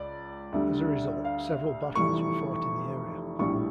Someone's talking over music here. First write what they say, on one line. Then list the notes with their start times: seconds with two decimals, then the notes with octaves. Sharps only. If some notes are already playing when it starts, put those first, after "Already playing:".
As a result, several battles were fought in the area.
Already playing: C#2 D5
0.52 D2 D3 G3
1.25 F5
1.95 F1 F2 E3 G3 C#6
3.39 A#1 A2 G3 C#6